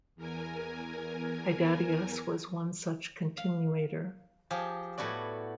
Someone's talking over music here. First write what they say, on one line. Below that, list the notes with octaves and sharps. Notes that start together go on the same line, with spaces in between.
Hydatius was one such continuator.
E2 A#4 G#5
F5
F3 G4 G#4
A2 B3 E4 F#4 D5